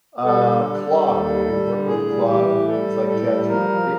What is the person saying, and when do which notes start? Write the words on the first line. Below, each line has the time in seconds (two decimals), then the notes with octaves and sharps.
uh, Claude, if you work with Claude, it's like ChatGPT
0.24 G3 A4
0.44 D3
0.65 G3
0.85 G3
1.06 D#2
1.25 G3
1.46 G3
1.66 D3
1.86 A2 G#4
2.06 G3
2.27 E3 G4
2.46 A2
2.67 G3 A4
2.87 A2
3.07 A2 A4
3.29 G3
3.48 F3 A#4
3.69 F3